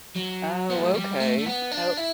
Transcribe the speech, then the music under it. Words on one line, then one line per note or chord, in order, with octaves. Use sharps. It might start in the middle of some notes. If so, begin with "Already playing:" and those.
Oh, okay. Oh,
F#3
B3
A3
G3
A3
A3
B3
D4
E4